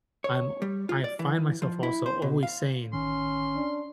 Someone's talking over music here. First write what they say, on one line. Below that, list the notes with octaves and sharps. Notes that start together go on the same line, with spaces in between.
I'm, o I find myself also always saying,
C#5
G3
F4
D5
E3
F3
E4
C5
B2
F5
A1 D#3 C#4 C6
D4